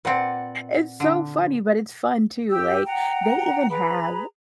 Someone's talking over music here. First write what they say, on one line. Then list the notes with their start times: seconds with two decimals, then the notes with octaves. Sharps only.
It's so funny, but it's fun, too, like, they even have
0.05 A#2 C4 B4 D5 F#5
1.00 D3
2.50 G4 E6
2.85 F#5 G5 A#5
3.70 G#4 B4 A#5 B5